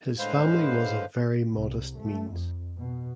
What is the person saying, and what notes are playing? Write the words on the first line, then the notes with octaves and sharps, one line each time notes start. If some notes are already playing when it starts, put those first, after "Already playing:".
His family was of very modest means.
A2 D3 G#3 B4 C5 F5
C2
A3
F2
B2